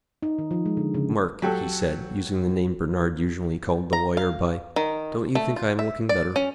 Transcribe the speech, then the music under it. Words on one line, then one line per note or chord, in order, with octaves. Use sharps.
"Mark," he said, using the name Bernard usually called the lawyer by, "don't you think I am looking better?"
D#4
D#3
F3
G#3
D3
C#3
F#3 G4 A4
A#5
F5
D#3
A3
F4
E5
D5
C#4